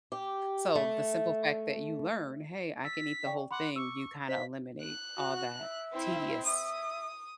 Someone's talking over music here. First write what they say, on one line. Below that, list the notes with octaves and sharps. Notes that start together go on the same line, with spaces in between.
So, the simple fact that you learn, hey, I can eat the whole thing, you kinda eliminate all that tedious
G4
A3
E6 A6 B6
D5 G5 C#6
F#5 B5 C6 D6
C#6 D6 E6
C5 D#5 F5 B6
F#6
F#4
E5
C4 E4
E5 D#6